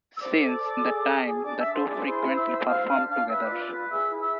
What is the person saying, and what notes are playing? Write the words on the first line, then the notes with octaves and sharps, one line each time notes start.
Since that time the two frequently performed together.
E6
C5 D5 D6
A4
A4
G#4
G#4
G#4
D4 D5 D6
E5 E6
D4
C5 C6
G#4
D5 D6
E4 C5 C6
C5
E5 E6
C5
C5 F5 F6
D4 F5 F6
D4 F5 F6
B4 E5 E6
F4 D5 D6
D5 D6
B4
G#4 E5 E6
E4
E5 E6